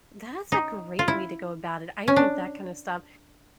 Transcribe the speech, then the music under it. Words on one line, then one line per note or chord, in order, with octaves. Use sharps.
That's a great way to go about it. I think that kinda stuff
D#4
F4
E4
C#4
D4